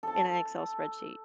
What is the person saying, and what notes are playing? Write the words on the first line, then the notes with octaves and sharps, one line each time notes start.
in an Excel spreadsheet?"
A4 A5